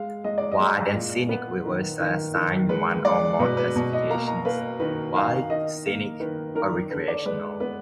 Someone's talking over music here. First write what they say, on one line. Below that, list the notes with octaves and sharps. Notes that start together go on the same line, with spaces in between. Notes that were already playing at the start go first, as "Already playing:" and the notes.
Wild and scenic rivers are assigned one or more classifications: wild, scenic, or recreational.
Already playing: G#3 F5
G#3 D#5
D5
D#5
G#3
A#2
B3 B4
D#3
D#3
D#3
G#3 B4
G#3 D5
B2 B4
B4
B2
D#5
A#3 A#5
A#5
A#3 B4
D#3 B4
D#3 F5
D#3 D#5
A#3
D#3 B4
D#3 A#4
D3 B4
D5
G#3 B4
B3 B4